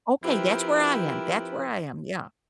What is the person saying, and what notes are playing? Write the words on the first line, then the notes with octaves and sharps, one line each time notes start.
Okay, that's where I am. That's where I am, yeah.
F3 C4 E4 G4 A#4 B4